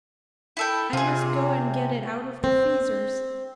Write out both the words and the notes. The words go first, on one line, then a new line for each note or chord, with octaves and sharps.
I must go and get it out of the freezers.
E4 A4 G5
C3 F4 G#4
C4